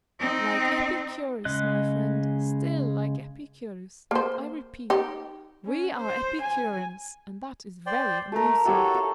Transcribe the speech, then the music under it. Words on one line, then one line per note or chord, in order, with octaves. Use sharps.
"Like Epicurus, my friend, still like Epicurus; I repeat, we are Epicureans, and that is very amusing."
C4 D#4
C#3 G#3 D#5 F#6
A#3 C5
D#4 G4
C#4
C5
G#5
C5 D5 G5
A3 A4 A#4
E4 F#4 G4 A4 C#5
F5